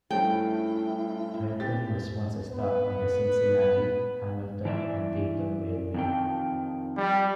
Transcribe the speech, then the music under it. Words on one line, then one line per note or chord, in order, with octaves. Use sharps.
Trenton was once a stop on the Cincinnati, Hamilton and Dayton Railway.
G2 F3 A3 C#4 E4 G5
C4 G4 A6
B3 B4
E3 D5 E5
F2 D#3 G5
G3